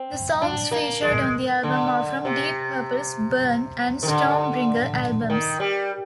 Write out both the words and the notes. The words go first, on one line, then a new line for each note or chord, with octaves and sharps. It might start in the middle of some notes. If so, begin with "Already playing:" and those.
The songs featured on the album are from Deep Purple's "Burn" and "Stormbringer" albums.
Already playing: C4
D4
A#3
G#3
D3
C3
D#3
D3
D#3
G3